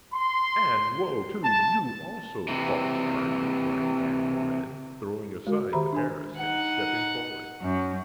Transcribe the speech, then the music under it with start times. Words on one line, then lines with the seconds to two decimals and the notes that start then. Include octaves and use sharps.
"And woe to you also, false cardinal," cried Anne Boleyn, throwing aside the arras, and stepping forward.
0.13 C6
1.43 A5
2.48 C3 E3
5.47 G#3 F#4 A#4
5.73 D#3 G4 E5 A#5 B5
5.93 D4 C5 G#5
6.37 D#4 F#5
7.61 F#2